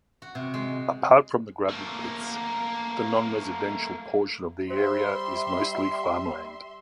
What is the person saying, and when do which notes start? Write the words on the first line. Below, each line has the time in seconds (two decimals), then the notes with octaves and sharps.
Apart from the gravel pits, the non-residential portion of the area is mostly farmland.
0.22 F#4
0.35 C3
0.54 G#3
1.69 A3 A#3
4.70 G3 C5 E5 C6